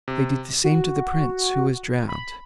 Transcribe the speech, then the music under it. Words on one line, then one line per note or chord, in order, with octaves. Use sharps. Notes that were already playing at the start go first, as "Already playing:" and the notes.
They did the same to the prince, who was drowned.
C3
F#4
B5